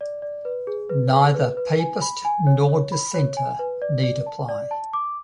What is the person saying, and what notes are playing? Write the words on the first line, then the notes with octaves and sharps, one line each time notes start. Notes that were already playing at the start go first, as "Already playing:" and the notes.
Neither Papist nor dissenter need apply.
D5
D5
B4
G#4
B4
G#4
B4
B4
G#5
B5
G#5
C#5
C#5
B5
C#5
G#5
B4
D5
D5
A5
D5
A5
D6